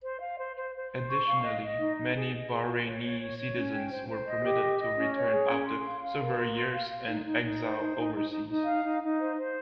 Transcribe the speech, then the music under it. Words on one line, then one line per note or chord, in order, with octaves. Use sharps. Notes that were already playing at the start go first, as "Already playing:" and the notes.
Additionally, many Bahraini citizens were permitted to return after several years in exile overseas.
C5
F5
C5
C5
C5
C5
C#6
F5
D#5
D#5
D#4
D#5
G#4
D#5
G#4
F4
C#5
C#5
C#5
C#5
C#4
G5
C5
C5
D#5
G4
D#5
D#5
C#4
C#5
G#4
C#4
C6
F5
F5
A#4
C6
C6
F5
F5
D#4
D#4
D#4
C5
D#4
D#4
D#4
D#4
D#4
F5
D#4
D#4
C5
C5